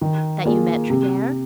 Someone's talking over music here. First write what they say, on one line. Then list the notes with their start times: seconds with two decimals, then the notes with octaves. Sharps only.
"That you met Tregear?"
0.01 D#3
0.45 A#3 F4 G#4
0.90 C3